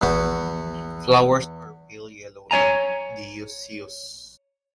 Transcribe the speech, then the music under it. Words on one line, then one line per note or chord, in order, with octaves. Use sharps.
Flowers are pale yellow and dioecious.
E2 B3 F#4
C#5 D5 G#5 A#5